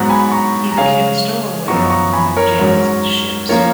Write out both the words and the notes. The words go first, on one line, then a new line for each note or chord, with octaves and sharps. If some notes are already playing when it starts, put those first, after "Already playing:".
He became a stowaway on one of James's ships.
Already playing: G#2 F#3 B3 F#5 A#5
G#5 B5
A#5 C#6
A#5
C#3 G#3 C#4 F5 G#5
F#2 F3 B3 A#5 C#6
A#5 C#6
G#5 B5
A#4 C#5
G#2 F#3 C#4
F3 A#3 C#4 A#4 C#5